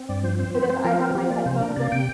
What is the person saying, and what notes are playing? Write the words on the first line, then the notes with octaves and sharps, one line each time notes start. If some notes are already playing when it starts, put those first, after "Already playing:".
that if I have my headphones in,
Already playing: C4
G2 D5
F3 C5
C4 C5
C4 C5
C4 C5
F3 A#4
C4 A#4
F3 G4
A#3 D5
C3 C5
D4 A#4
C3 D5
C3 G5